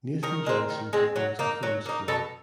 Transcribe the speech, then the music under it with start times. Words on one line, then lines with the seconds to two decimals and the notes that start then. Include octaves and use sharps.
Nathan Johnson composed the film score.
0.23 D#3 A#4
0.46 G#3 C4
0.70 D#3
0.93 G#3 C4
1.16 F#3
1.39 A#3 D#4
1.63 F#3
1.86 A#3 D#4
2.08 B2 A4